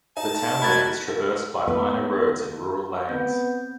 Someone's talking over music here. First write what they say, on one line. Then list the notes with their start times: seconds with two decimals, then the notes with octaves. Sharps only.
The townland is traversed by minor roads and rural lanes.
0.17 D#4 A5
0.62 F#4 A#4 B5 G#6 A6
1.67 B3 B4
3.09 B3 C4 G6